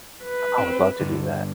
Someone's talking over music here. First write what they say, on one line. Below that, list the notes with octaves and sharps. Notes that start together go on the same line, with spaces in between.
I would love to do that.
B4
C4
G2 D3